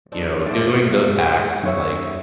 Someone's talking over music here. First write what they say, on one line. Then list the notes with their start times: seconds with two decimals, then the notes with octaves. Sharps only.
you know, doing those acts, like
0.12 C4 D4 D#4
0.46 G#2 A3 D5
1.36 G4 F#5
1.63 F#2 D#4 C#5 E5